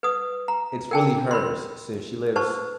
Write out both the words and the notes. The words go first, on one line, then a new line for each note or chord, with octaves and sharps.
it's really hers since she lives
B4 D#6
A#5
A#4 G5 A5
A#4 B5 C6
B4 C5 A5 C#6